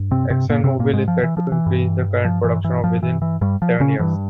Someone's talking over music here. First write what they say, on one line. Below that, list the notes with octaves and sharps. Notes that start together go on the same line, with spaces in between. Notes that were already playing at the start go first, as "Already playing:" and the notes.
ExxonMobil is set to increase the current production of within seven years.
Already playing: G2
C3 C4
C3 C4
A#2 A#3
C3 C4
A#2 A#3
G#2 G#3
F3
E3
F3
E3
G2
F3
E3
E3
F3
E3
E3
G2 G3
F3
C#3 C#4
G2 E3